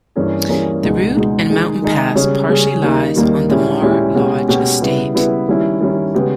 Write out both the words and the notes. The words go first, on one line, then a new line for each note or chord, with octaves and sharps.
The route and mountain pass partially lies on the Mar Lodge Estate.
G2 E3 A#3 C#4 G#4
G2 E3 A#3 C#4 G#4
C#2 B2 G#3 D#4
C#2 B2 G#3 D#4
D#3 G#3 D#4 G#4
D#3 G#3 D#4 G#4
C#3 G3 C#4 G#4
C#3 G3 C#4 G#4
D#2 D#3 G3 A#3 D#4
D#2 D#3 G3 A#3 D#4
A#2 G#3 C#4 E4 G4
A#2 G#3 C#4 E4 G4
B2 G#3 C#4 G4
B2 G#3 C#4 G4
C#3 G3 B3 E4
C#3 G3 B3 E4
D#3 G3 C#4 E4
D#3 G3 C#4 E4
C#3 G#3 B3 G4